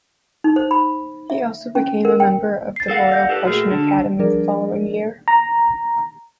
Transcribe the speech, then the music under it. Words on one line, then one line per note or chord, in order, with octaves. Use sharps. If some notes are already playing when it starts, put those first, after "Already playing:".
He also became a member of the Royal Prussian Academy the following year.
D#4
C5
B5
E5
C#4
A#4
G5
A6 C7
A4 F5 F#5
D5 G6 A#6
G4 A4 B4
A#2 A3 F#4 G#4 F6
D3
F3 G3 D4 G#4 A#4 D5
A#5